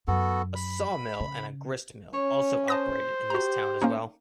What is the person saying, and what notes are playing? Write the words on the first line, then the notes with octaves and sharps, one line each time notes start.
A saw mill and a grist mill also operated in this town as well.
F#2 B3 F#4 A4
B5
C#3
C#4 C#5
C5 A5 D#6 A#6
F#4 G4 A#5
A#3 C#4 D#4